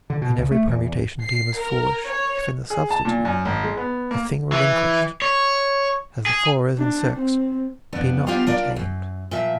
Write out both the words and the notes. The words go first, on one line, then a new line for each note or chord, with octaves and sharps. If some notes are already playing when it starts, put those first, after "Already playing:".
And every permutation deem as foolish, If in the substitute the thing relinquished, As the four is in six, be not contained.
D3
B2
C#2
A3
E2
C7
A#4
C#5
G#4
A5
A#2
F#2
G#1
G#3
B3
A#3
E3
C#5
G#4
D4
C4
F2 B3 D4
B3 D4 F4 G4 C5 F5
D4 F4 A#4 D5
F#2
A#2 F3 E5